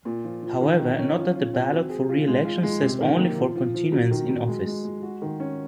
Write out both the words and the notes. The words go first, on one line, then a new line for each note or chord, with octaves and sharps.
However, note that the ballot for re-election says only 'for continuance in office'.
A#2
F3
F3
D#3
D#3
C#4
F4
F4
C4
F#3
G#4
F4
G#3
F4
G#3
C3
D#3
A#3
F3
F3
F3
F#3
D#3
F#3
G#3
G#3
G#3
F#4
D#3
C#4